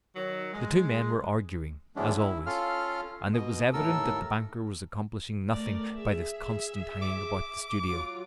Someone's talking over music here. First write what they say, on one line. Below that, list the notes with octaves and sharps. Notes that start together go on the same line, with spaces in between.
The two men were arguing, as always, and it was evident that the banker was accomplishing nothing by this constant hanging about the studio.
D#3 F#3
G#3
D2 E3 G#3 B3 C#4 D4
E4
C#4 F4 A4 F5 F6
B2 D#5
D#2 A2 A4 A#4 E6
A3 A#4 D5
G#4 E5
D6
F#3 F4